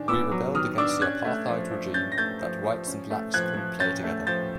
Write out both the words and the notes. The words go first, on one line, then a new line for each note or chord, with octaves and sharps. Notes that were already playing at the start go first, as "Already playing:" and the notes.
We rebelled against the apartheid regime that whites and blacks couldn't play together.
Already playing: D#3 D4 G#5
B3 D6 E6
F#3
D#3 D#6 F6
D4 D6 E6
C#4 F#6 G#6
A3
F3
F3
C#4 G6 A6
A#6
A3 G6 A6
F3
F3
C#4
A3
F3 F#6 G#6
F3
C#4 G6 A6
A3
F3 G6 A6